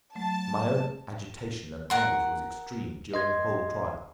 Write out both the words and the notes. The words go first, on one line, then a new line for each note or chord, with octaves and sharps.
My own agitation and anguish was extreme during the whole trial.
F#3 A3 A5
A#4 F#5 C6
D#5 C6 G#6